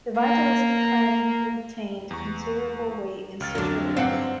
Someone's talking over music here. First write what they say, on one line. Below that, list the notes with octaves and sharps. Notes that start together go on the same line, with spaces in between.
The Vitelleschi clan retained considerable weight in Central Italy.
A#3
E2 C#6
C#2 F6 A6
F2 D3 F#3 D4
G2 C4 F5 F#5